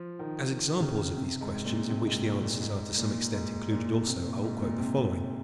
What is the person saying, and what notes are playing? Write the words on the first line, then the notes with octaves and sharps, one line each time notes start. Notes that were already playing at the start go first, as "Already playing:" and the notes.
As examples of these questions, in which the answers are to some extent included also, I will quote the following.
Already playing: F3
D#3
D#3
D#3
C#3
C3
G#2
A#2
C3
G#2
A#2
A#2
G#2
A#2
G#2
A#2
C3
A#2
G#2
A#2
C3
A#2